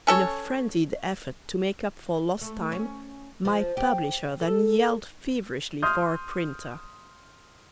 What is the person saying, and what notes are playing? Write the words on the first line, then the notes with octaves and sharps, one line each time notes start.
In a frenzied effort to make up for lost time my publisher then yelled feverishly for a printer.
C#4 A4 C#5
A3
C#4
F3
G4
A4
C6 D#6 F6 G6